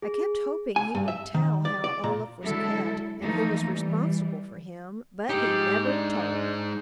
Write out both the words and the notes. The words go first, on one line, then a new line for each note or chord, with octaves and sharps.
I kept hoping he would tell how Olaf was kept and who was responsible for him, but he never told.
G#4
G#5
G2
E5
D#3
D5
D5
A#2
D3 F#3 G#3 E4 A4
E3 F3 A3 A#3 D#4
E3 G3
G#3 D#4 G4
D4